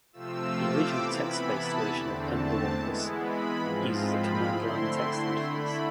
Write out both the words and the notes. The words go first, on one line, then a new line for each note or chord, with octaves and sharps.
The original text-based version of "Hunt the Wumpus" uses a command line text interface.
C3 F3 A3 C4 F4 E6
D6
C3 E3 B3 E4 B5
A5
E2 D3 A3 C4
A5
E3 G#3 B3 E4
B5
G#2 F3 G#3 C4 F4
B5
D3 A3 C4 E4 C6
C6
D3 A3 E4 B5